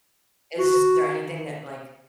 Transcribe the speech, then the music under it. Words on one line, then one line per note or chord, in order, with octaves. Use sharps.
is there anything that like
F#4